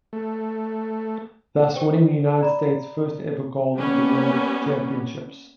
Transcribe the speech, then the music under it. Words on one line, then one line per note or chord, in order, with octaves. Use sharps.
Thus winning the United States's first ever gold at the World Championships.
A3
G4 C5 G5
D5 A#5 B5
G3 A#3 B3 C#4